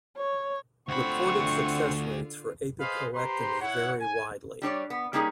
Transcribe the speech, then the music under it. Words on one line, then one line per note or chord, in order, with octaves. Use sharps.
Reported success rates for apicoectomy vary widely.
C#5
D2 D3 C4 F4 C5 F#5 B5 C#6
G#4 B4 C5 D#5 F5
G4 B4 C5 A#5 C6
E4 C#5 F#5
G#5
G3 D4 C#5 D5
B3
G3 A#3 C#4 D#4 F4 G#4